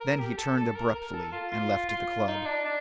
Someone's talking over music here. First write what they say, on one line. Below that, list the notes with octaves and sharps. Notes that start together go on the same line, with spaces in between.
Then he turned abruptly and left the club.
A#4
G4
A4
A4
A#4
A#4
A4
F4
F4
F4
D#4
D4
D4